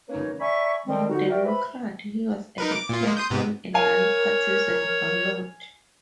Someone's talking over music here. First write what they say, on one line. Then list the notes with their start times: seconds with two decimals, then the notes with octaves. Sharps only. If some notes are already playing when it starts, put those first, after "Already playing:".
A Democrat, he was elected on a non-partisan ballot.
0.09 A#3 C#4 D#4 B4 C#5
0.39 D5 E5 G#5 A#5 B5 C#6
0.86 D3 D#3 F3 G3 G#3 C4
1.09 F2 D3 D#4 F#4
1.29 F#4 G4 A#4 D5 E5 G5
1.45 B4 C5 E5 B5
2.58 D#4 A#4 B4
2.72 D6
2.89 A#2 F4
3.03 G#3 A#3
3.17 C6 D#6 G6
3.30 G#2 C3 B3
3.74 A#4 C#5 F5 G#5